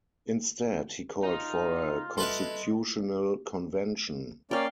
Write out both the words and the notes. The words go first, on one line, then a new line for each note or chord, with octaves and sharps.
Instead, he called for a constitutional convention.
D#4 F4
A4 B4 D#5 E5 C6
A#3 C#4 D5 F5 G5